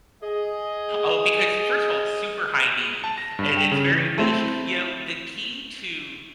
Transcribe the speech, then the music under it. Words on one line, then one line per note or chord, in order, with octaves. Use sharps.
Oh, because first of all, it's super high need and it's very niche. You know, the key to
G#4 D#5
A5
A#6
G2
G5
C#3
E3
A3 C4 E4